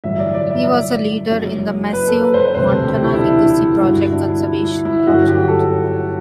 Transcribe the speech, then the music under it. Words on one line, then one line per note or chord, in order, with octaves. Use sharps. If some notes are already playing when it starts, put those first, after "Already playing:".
He was a leader in the massive Montana Legacy Project conservation project.
A1 G2 D3 F#3 E5
D5
D5
E5
D5
F#1 F#2 F#3
B4
A4
B4
C5
B4
E1 D2 C3 G3 C5
A4
G4
E4
E4
D4
E4
G1 G2 D3 G3 F#4
E4
D4
E4
E4
E4
E4
G1 F#2 D3 F#4
G4
A4